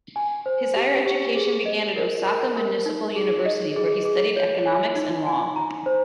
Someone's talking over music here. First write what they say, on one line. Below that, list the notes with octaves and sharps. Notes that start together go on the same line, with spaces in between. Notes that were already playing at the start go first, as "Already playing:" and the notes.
His higher education began at Osaka Municipal University, where he studied Economics and Law.
G#5
C5
G4
G4
G#4
D#5
A#4
A#4
A#4
D#4
G#4
D#5
G#4
G#4
C#5
G#5
D#4
G#5
A#5
C5